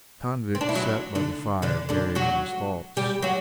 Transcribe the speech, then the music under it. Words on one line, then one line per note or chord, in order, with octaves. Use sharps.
The convict sat by the fire, buried in his thoughts.
C4
D4
E4
F#3 F#4
D3 D4
D3 D4
D3 D4
F#3 F#4
G3 G4
F#3 F#4